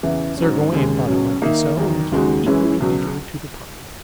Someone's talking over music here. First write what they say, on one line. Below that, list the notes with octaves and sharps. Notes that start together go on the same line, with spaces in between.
Sir Gawain thought it might be so, and became equally eager to depart.
E2 C#3 E3
G#2 F#3 C#4
D#2 C#3 G#3
C#2 B2 F#3 C#4
D#3 A#3 D#4 A#4 E5
E2 D#3 F#3
D#2 C#3 G#3 D#4 F#4
F#2 E3 G#3 C#4 E4
C#2 B2 F#3